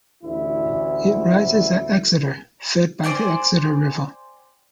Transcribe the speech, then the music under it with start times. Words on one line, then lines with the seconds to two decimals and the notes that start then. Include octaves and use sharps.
It rises at Exeter, fed by the Exeter River.
0.23 A1 D2 E4
3.04 C5 D5 G5 G#5